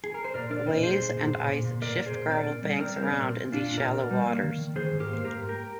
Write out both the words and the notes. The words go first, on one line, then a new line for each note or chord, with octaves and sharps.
Waves and ice shift gravel banks around in these shallow waters.
G#4
A#4
C5
A#2 A#4 D5
D4 A#4 D5
A#2 C5 D#5
A#2 G#4 C5
A#2
A#2
A#2
A#2
A#2
A#2 A#4 D5
A#2
G#4 C5
A#2
C4 A#4 D5
A#2
G3
C4 A#4 D5
G3 C5
A#4 D5
A#2
C4
A#2
D4 F4
A#2
A#2 A#4 D5
A#2
G3
A#3
D#3
D#3
D#3 G#4 C5
G#2
G4 A#4
A#3 C5
G#2 G4 A#4
G#2
G4 A#4